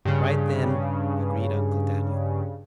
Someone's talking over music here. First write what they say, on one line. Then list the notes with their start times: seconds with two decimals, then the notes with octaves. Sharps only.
"All right, then," agreed Uncle Daniel.
0.05 G2 C#3